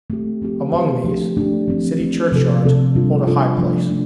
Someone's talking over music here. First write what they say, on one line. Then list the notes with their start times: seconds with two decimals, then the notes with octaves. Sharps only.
Among these, City Churchyards hold a high place.
0.10 A3 C4 G4
0.42 F3 C4 G4
0.73 F3 C4 G4
1.04 F3 A3 D4 G4
1.36 F3 A3 D4 G4
1.68 F3 A3 C4
2.00 F3 A3 C4
2.32 C3 F3 C4 A4
2.64 C3 F3 C4 A4
2.95 G3 D4 F4 A4
3.27 G3 D4 F4 A4
3.58 F3 A3 D4
3.90 A3 D4